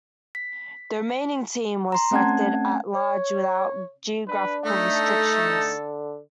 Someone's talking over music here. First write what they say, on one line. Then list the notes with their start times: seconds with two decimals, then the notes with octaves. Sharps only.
The remaining team was selected at-large without geographical restrictions.
0.35 B6
1.92 A#5 C6
2.11 A3 C4 C#4 F#5 A5 G#6
2.94 C#5
4.28 D4 B4
4.65 A3 D#4 A4
5.45 D3